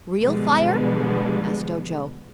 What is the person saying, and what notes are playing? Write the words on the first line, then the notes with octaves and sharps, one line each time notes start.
"Real fire?" asked Ojo.
B2 D3 F3 G3 G#3 B3